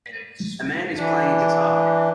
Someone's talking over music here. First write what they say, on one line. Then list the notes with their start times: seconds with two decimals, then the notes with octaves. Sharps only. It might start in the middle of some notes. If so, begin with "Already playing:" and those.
A man is playing a guitar.
0.96 E3 D4